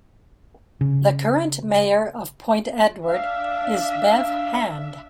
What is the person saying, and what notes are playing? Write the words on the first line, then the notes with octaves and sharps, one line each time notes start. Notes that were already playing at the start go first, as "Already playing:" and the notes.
The current mayor of Point Edward is Bev Hand.
C#3
D4 E5 F5